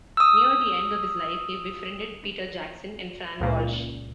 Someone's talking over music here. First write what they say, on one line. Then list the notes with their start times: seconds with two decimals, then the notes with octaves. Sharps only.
Near the end of his life he befriended Peter Jackson and Fran Walsh.
0.17 D#6 E6
3.40 C#2 A#2